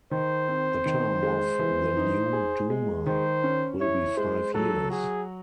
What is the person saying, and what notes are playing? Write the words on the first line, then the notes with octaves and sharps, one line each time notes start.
The term of the new Duma will be five years.
D#3 C5
C4
D#3
G#3
E3
D#4
G#4
G#3
D#3 C5
C#4
E4 C#5
G#3 C5
F#3 A4
F#4 G#4